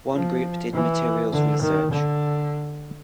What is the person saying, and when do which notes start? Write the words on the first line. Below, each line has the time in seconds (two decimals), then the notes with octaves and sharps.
One group did materials research.
0.13 F3
0.73 E3
1.32 D3
1.62 D#3
1.91 D3